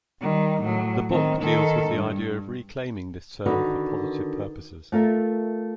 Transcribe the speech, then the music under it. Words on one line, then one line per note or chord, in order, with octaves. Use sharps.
The book deals with the idea of reclaiming this term for positive purposes.
D#3 G3
A2 F#3
D#3 C4
D#3 A4
G2
D3 D#3 F#4 B4
A3 F4 A#4 E5